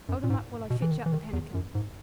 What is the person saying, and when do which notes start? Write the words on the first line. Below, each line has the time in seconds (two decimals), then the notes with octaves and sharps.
'Hold him up while I fetch out the pannikin.
0.09 F#2
0.24 A#2
0.30 G#2
0.70 B2
0.82 E3
0.91 D#3
1.06 E3
1.12 D#3
1.33 E2
1.54 F#2
1.75 G#2